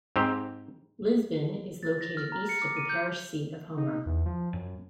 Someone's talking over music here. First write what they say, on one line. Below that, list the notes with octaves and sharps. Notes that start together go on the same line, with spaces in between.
Lisbon is located east of the parish seat of Homer.
G#2 C4 G4
A6
A#6
F6
A#5
C#7
D6
D#7
G6
D#4
E2
F3
F#2